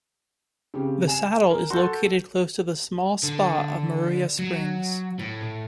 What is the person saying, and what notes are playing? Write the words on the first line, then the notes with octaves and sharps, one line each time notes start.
The saddle is located close to the small spa of Maruia Springs.
C#3 C4 G4
G#5 E7
A#4
F#4 A4 C6 G6
D3
F#3
A2